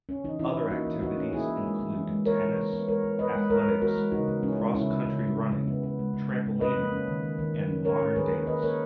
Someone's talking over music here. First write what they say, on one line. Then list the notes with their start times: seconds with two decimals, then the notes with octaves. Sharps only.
Other activities include tennis, athletics, cross-country running, trampolining and modern dance.
0.09 C#4
0.24 E3 D#4
0.39 E3 C#4 E4
0.55 C#4
0.70 A#3 D#4 F#4
0.86 E3
1.02 A#3 D#4 F#4
1.17 C#4
1.33 A#3 E4 G#4
1.49 A#3
1.64 G#3
1.79 E3
1.95 E3
2.11 G#3
2.26 E3 A#4 C#5
2.42 E3
2.57 B3
2.73 B3
2.88 G#3 A#4 C#5
3.03 B3
3.19 B3 B4 D#5
3.35 G#3
3.50 G#3 A#4 C#5
3.66 B3
3.81 E3 F#4 A#4
3.97 G#3
4.12 C#3 D#4 F#4
4.28 B3
4.43 G#3 C#4 E4
4.59 G#3
4.74 C#3 C#4 E4
4.90 C#3
5.05 C#3
5.21 G#3
5.36 C#3
5.52 C#3
5.68 B3
5.83 B3
5.99 G#3
6.14 C#3
6.29 G#3
6.45 B3
6.61 C#4 B4 D#5
6.76 A#3
6.92 C#4
7.08 D#3
7.23 D#3
7.39 D#3
7.54 D#3
7.70 C#4
7.85 C#4 A#4 C#5
8.01 C#4
8.16 D#3 G#4 B4
8.32 A#3
8.47 D#3 B4 D#5
8.63 A#3 A#4 C#5